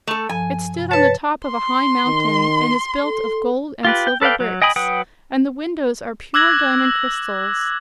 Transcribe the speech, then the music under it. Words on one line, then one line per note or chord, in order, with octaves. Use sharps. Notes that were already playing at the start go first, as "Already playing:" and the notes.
It stood on the top of a high mountain and is built of gold and silver bricks, and the windows are pure diamond crystals.
A3 A4
G2 F3 G#5
G2 C3
B4 C#5 A5
C6
D#3
A4
F4 G4 B4
G5
A4 B4 D5 F5 G5
F#3
D#5 G5 G#5 B5 D#6
F#3 B4 F#5 G5 D#6
D6 E6 F#6 G#6 A#6 F#7